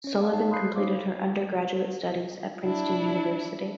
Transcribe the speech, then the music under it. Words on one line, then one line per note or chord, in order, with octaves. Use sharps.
Sullivan completed her undergraduate studies at Princeton University.
C#4 C#5
F5 A5
D#4 G#4 C#5 F5 A5
B5 C6 D#6 F#6 G6 C7
D4 D#4 C5 C#5 F5 D6
D4 E4